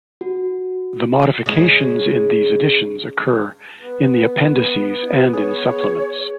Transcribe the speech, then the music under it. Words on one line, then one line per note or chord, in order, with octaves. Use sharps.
The modifications in these editions occur in the appendices and in supplements.
F#4
C#3 G#3
B3 B4
G#4 C#5